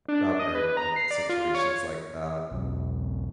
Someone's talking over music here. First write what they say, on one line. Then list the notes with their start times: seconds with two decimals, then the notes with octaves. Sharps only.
not very good at situations like that
0.08 D4
0.39 D#5
0.55 B4
0.77 A#5
0.96 C7
1.11 D5
1.29 F4
1.55 C#5
2.51 B1 E2 B2 F#3